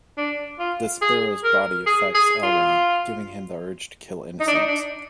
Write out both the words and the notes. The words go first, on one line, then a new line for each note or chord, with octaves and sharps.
Despero's body affects L-Ron, giving him the urge to kill innocents.
D4
F4
G#4
A#4
G#4
G#4
F4
D#4
D4
D#4
D4